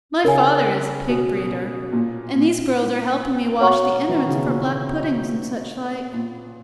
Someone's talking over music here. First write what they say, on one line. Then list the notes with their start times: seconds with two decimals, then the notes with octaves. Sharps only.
"My father is a pig-breeder, and these girls are helping me wash the innerds for black-puddings and such like."
0.24 C#3 A#4 C#5 G#5
1.09 B2
1.93 A#2
2.35 A#2
3.61 B2 C#5 F#5 A#5 C#6
4.09 E3
4.18 D#3
4.27 C#3
4.37 B2
4.45 A#2
6.13 A#2